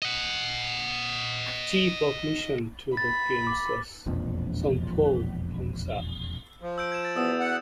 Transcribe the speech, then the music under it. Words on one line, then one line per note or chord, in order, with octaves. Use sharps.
The chief of mission to the games was Somphou Phongsa.
D#5 F#5
B5 A6
D6
E1 A#1 F2
F3
E6 G6 D7
G#6 E7
A6
E2 B2 B3 D#6 E6 E7
F#5